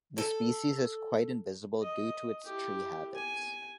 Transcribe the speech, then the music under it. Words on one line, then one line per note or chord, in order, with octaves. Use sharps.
This species is quite invisible due to its tree habits.
A4
D#5
E4 G4
G#5